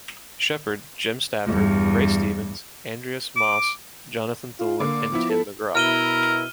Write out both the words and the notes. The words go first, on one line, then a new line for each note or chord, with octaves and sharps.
Sheppard, Jim Stafford, Ray Stevens, Andreas Moss, Jonathan Thulin and Tim McGraw.
E2 G2
D6
F4
D3 A#3 D6
F3 B3 E4
A4
B2 E4 A#4 F6 D#7 G7